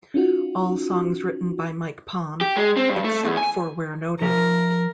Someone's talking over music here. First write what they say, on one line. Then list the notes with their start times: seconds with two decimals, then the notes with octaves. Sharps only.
All songs written by Mike Palm, except for where noted.
0.14 C#4 D#4 F4 F#4
2.41 G4
2.57 G#3
2.77 C4
2.90 G2
3.04 A3
3.24 E2
3.37 G#5
4.22 F3 A#4 E5